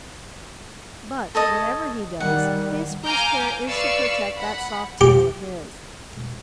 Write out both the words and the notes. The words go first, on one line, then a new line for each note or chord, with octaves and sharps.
But, whatever he does, his first care is to protect that soft tail of his.
A4 C#5 D#5
D#3 G3 F#5
F5 G#5 A#5 D6 F6 G6
B4 D5 F5 C#6 E6
F#5 B5
G4